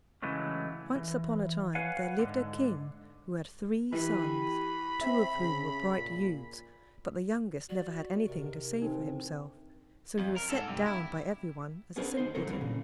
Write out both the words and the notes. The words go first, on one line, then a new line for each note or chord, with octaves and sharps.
ONCE upon a time there lived a king who had three sons, two of whom were bright youths, but the youngest never had anything to say for himself, so he was set down by everyone as a simpleton.
C#3 E3 F#3 G#3 A3 C#4
E3
B4 C#5 F5 F#5 G#5
G#2 D3
E3 G4 B5
C4 E5
C#3
A#2
F#4 D5
C3 D#3 A#4
D3 E3 C4 D#4
F2
A#4
G#2 A4
G2 C3
E4
B3 C#4 D4 G#4 A#4 C5
D#2 D#4 C5
C#3 F#3 C4 A4 A#4
F2 D3 E3 F#3 G3 C4
A#2 C#3